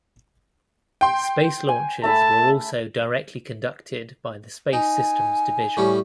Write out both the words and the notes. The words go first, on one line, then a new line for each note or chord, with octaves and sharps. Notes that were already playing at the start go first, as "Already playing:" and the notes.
Space launches were also directly conducted by the Space Systems Division.
G5 C6
G#5
A3 E5 A5 B5
D#4 G#5
A2 G3 C#4